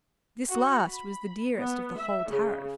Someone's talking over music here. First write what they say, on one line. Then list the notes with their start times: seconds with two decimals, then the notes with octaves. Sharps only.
This last was the dearest of the whole tariff.
0.49 F#4
0.85 B5
1.57 B3
1.97 E5
2.29 C#3